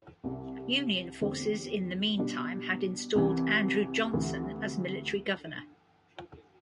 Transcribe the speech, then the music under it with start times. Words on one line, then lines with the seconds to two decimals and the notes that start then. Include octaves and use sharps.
Union forces, in the mean time, had installed Andrew Johnson as military governor.
0.24 C2 C3 G3
1.21 E2 D3 A3 C4 G4
2.18 B2 G3 D4
3.15 C2 C3 E3
4.13 D2 C3 E3